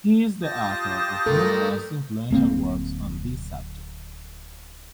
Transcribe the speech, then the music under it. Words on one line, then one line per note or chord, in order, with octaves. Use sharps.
He is the author of numerous influential works on this subject.
F4 G4 A5 D#6 G6 A#6
G2 A3 A4 A#4
D1 A#3 C4